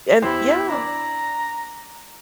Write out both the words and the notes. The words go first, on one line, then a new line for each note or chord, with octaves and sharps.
And yeah.
E2 E4 G4 C5
D4 D5 A#5